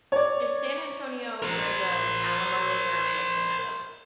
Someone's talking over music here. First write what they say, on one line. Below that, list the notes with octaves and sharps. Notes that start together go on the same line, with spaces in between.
Is San Antonio where the Alamo is, or am I mixing that up?
C#5 D5
A#4 C5